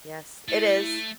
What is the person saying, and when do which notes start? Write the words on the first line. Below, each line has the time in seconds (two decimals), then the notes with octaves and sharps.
Yes, it is.
0.49 A3 E4